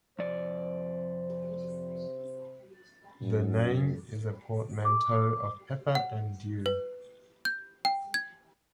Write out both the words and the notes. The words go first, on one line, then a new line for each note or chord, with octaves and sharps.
The name is a portmanteau of 'pepper' and 'dew'.
F2 C3 C5 D5
F#2
D6
F#5
B4
G6
G5
G#6